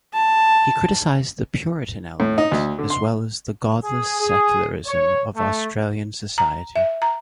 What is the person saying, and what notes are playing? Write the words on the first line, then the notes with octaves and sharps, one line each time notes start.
He criticised the "puritan element" as well as the "Godless secularism" of Australian society.
A5
A2
D#4
D2
D3
C6
G#4
G#4
C#5
A3
A#5
E5
A#5